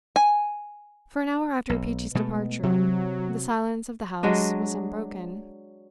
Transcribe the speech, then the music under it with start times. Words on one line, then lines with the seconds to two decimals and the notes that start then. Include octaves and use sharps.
For an hour after Peachey's departure, the silence of the house was unbroken.
0.16 G#5
1.70 B1
2.15 B2 G#3 A3
2.63 C3 F#3
4.23 F#3 G#3 D4 D#5